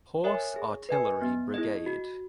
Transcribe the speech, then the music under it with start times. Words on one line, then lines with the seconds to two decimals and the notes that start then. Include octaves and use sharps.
Horse Artillery Brigade.
0.24 A#4 C#5 E5 G#5
0.56 G#4
0.89 B4 D#5 G#5
1.21 B3
1.54 E4 G#4 D#5
1.86 F#4